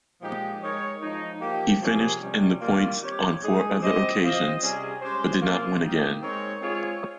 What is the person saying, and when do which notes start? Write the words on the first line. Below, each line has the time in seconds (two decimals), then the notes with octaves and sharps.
He finished in the points on four other occasions, but did not win again.
0.21 A#2 F3 G#3 D#4 G4
0.61 G#3 D#4 A#4 C#5
1.01 F3 G#3 D#4
1.41 F3 A#3 D#4 G4
1.81 C3 F3 A#3 C#4 G#4
2.21 C3 G3 C#4
2.61 D#3 G3 A#3 F4
3.01 C4 G4 C#5
3.41 G#3 D#4 G#4
3.81 C4 G4 C5 D#5
4.21 C4 F4 C5 D#5
4.61 C3 G3 C#4 G#4
5.01 G#3 C#4 G4 C5
5.41 C3 F3 A#3 F4
5.81 A#3 D#4 G4
6.22 G#3 C4 D#4 A#4 C#5
6.62 G#3 C4 F4 G#4 C#5